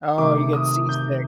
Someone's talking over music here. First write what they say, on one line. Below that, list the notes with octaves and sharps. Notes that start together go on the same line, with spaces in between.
Oh, you get seasick.
C3 D#3 A3 D6
D#6
G6